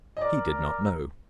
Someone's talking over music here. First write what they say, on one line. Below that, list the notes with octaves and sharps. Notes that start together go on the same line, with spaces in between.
He did not know.
D#5
A#4 D5